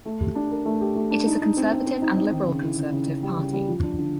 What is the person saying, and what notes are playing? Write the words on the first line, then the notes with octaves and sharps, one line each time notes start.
It is a conservative and liberal conservative party.
A3
G4
D4
A#4
A3
G4
A3
D4
D#4
D#4
C4
C4
C4
D#4
D#4
D#3
C#3
E3
C#3
C#3
C#3
G3
C#3
G3
F3
D4
D3